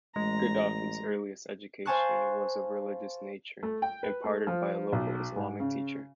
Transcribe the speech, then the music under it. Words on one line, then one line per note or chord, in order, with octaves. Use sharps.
Gaddafi's earliest education was of a religious nature, imparted by a local Islamic teacher.
A1 G#3 A#5
C5 F5 G#5 A5 C#6 F#6
A3
G5
B4
A3
F3
B1
G#2
C#3